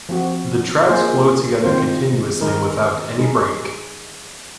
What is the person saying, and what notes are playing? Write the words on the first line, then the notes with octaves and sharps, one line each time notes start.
The tracks flow together continuously without any break.
F3 C4 F#4
A#3 F4 G#4 C5
D#3 G#3 C4 F4 C5
D#3 G#3 D#4 A#4
G#3 D#4 G#4